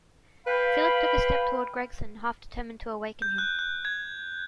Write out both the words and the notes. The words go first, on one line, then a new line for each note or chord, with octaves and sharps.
Philip took a step toward Gregson, half determined to awaken him.
B4 F5 G5 B5
G6
F#6
F#6
G#6